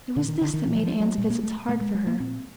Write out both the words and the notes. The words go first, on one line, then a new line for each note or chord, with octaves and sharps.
It was this that made Anne's visits hard for her.
A#2 D3
D#3
D3
D#3
A#2 E3
F#3
F3
F#3
A#2 G3
A#3
A3
A#2 A3
G#3
G#3
A#3
A#2 C4